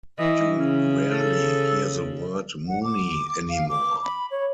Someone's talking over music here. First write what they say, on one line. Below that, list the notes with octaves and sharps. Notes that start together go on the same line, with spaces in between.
You rarely hear the word 'Moonie' anymore.
E3 D#5
C#3 C#4
A4
F#5
D6
F5
D6
B5
C#5